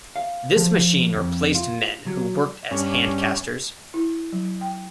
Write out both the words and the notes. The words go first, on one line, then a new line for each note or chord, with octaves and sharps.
This machine replaced men who worked as handcasters.
F5
F3
F2
F4
F#3
G2 C#4
E4
F#3
G5